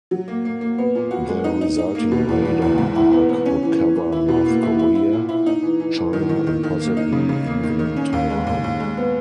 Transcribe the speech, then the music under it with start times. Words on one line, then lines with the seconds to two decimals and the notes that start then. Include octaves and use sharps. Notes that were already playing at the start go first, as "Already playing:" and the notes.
The resulting radar arc would cover North Korea, China and possibly even Taiwan.
0.11 F#3
0.28 A#3
0.45 A#3
0.61 A#3
0.78 B3
0.95 A#2
1.11 F#4
1.29 G#3
1.44 D#4
1.61 D#4
1.78 D#4
1.95 A#3
2.11 B2
2.29 E2
2.45 E2
2.62 E2
2.78 G#2
2.95 E4
3.12 B3
3.29 B3
3.46 C#4
3.63 E3
3.78 E3
3.96 E3
4.12 E4
4.28 B2
4.46 A#3
4.63 E4
4.79 E4
4.95 E4
5.13 A#2
5.29 E4
5.46 D#4
5.62 E3
5.80 E3
5.97 E3
6.13 D#3
6.29 D#3
6.47 D#3
6.63 D#3
6.80 A#3
6.97 D#4
7.12 C#3
7.29 C#3
7.46 A#3
7.63 D#3
7.79 D#3
7.96 C#4
8.13 D#2
8.30 G#3
8.47 D#2
8.64 D#2
8.80 G#3
8.97 B3